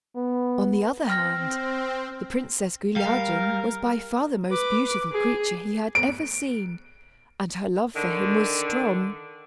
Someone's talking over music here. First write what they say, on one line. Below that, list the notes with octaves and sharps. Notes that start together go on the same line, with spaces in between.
On the other hand, the Princess Guilliadun was by far the most beautiful creature he had ever seen, and her love for him was strong.
B3
C4 G5 F6 A#6
G3 A#4 F5
B4 D6
G#4
D7
D3 D#3